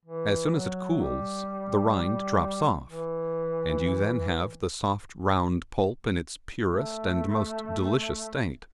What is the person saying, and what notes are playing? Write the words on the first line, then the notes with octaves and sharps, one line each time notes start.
As soon as it cools the rind drops off, and you then have the soft round pulp in its purest and most delicious state.
E3
F#3
G3
E3
A3